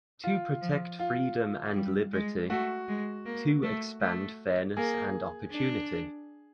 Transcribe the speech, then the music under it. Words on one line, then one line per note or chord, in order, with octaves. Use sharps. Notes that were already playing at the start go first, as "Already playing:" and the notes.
To protect freedom and liberty, to expand fairness and opportunity.
F4
F3
F4
G3
G#3
A3 F#4
G#3
A#3
A3
A3
A#3 G#4
D4